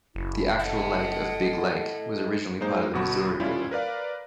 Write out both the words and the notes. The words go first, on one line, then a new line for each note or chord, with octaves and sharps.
The actual lake of Big Lake was originally part of the Missouri River.
F#1 E4
E4 A4 D#5 F#5
G#3 A#3 D#4 C5
G1 B2 F#4 B5
G3 C#4 E4 F4
A#4 B4 D5 F5